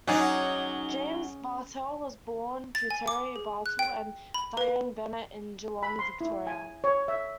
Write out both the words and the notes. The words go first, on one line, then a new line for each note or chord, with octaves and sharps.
James Bartel was born to Terry Bartel and Dianne Bennett in Geelong, Victoria.
F#3 C#4 D#4 F#4 G#4 D5
A6
G#5
D6
G#4
F#6
G5
B5
B4
B5
C6
E4
G#5
C#5
E5